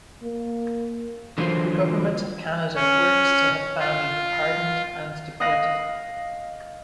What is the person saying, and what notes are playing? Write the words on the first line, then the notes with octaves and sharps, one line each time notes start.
The Government of Canada worked to have Fahmy pardoned and deported.
A#3
D3 E3 F#3 A#3 F4 C5
C#4
F4
D#5 F5 F#6 A#6 D7